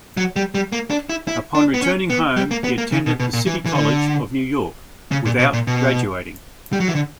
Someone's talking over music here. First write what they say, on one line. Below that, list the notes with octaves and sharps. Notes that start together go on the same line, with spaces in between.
Upon returning home, he attended the City College of New York without graduating.
F#3
G3
G3
A#3
D4
E4
E4
D4
B3
C#4
B3
G3
A#3
B3
A#3
C#3
B2
B2
A#2
E3
E3
D3
C#3
A#2
B2
A#2
B2
G3
F#3
E3
D3